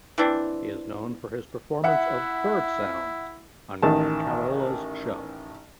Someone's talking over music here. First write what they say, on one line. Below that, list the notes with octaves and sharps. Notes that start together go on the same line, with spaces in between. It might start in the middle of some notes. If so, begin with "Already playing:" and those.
He is known for his performance of bird sounds on Carolla's show.
E3 C4 D4
E4 E5 F#5
A1 D#3 A5